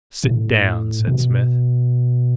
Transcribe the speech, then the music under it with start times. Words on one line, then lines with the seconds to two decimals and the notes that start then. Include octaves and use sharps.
"Sit down!" said Smith.
0.24 A2
1.07 B2